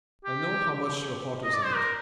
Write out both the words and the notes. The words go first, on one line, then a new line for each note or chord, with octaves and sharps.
I know how much your heart is in it.
G4
D#5
D5
C5
A#4